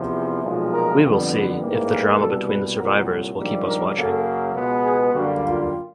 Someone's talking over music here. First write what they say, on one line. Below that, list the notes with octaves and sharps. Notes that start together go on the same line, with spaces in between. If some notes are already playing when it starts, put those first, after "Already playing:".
We will see if the drama between the survivors will keep us watching.
Already playing: E2 C3 F3
B1 A#2 F3 G#3
A#4
F2 D3 G3 B3
B4
A1 G#2 E3 G3 A#3
A#4
C2 B2 G3 A4
B4
C2 A#2 F#3 A#4
A#1 G#2 D#3 G3 A#3 A#4
A#4
F#2 C#3 F#3 A#3 A4
C#2 B2 G#3 B3
G#4
F#2 D3 G3 A#3 F#4
F4